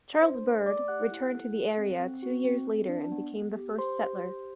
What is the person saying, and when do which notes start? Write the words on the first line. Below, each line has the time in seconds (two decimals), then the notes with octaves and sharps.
Charles Bird returned to the area two years later and became the first settler.
0.21 D4 C5 C6
0.44 A3
0.65 A3 D5 D6
0.88 G4 F#5 F#6
1.11 E4
1.33 A4
1.55 A4
1.78 C4
1.99 C4
2.23 F#4
2.45 C4
2.67 C4
2.89 D4
3.12 B3
3.34 B3
3.56 G4
3.78 G4 C5 C6
4.01 G4
4.22 G4